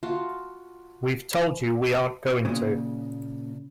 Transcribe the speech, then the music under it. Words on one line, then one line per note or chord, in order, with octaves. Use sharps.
We've told you we aren't going to.
F4 F#4 A5
A#2 C#3